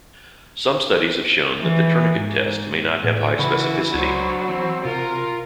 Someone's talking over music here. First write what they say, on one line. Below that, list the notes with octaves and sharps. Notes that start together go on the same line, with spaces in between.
Some studies have shown that the tourniquet test may not have high specificity.
E3
G#2
A2
C#3 E3 F#4 B5
C#2 F#3 D4 C5
E3 C4
C3 F4 A#4